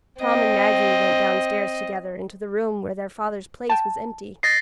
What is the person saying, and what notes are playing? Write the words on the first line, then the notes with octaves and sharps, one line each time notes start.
Tom and Maggie went downstairs together into the room where their father's place was empty.
C4 D#5
G5 A5
D#5 A6 A#6 C7